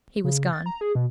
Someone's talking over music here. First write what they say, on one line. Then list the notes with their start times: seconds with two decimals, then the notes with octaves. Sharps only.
He was gone.
0.24 C#3
0.53 A6
0.66 A#5
0.81 G#4
0.95 B2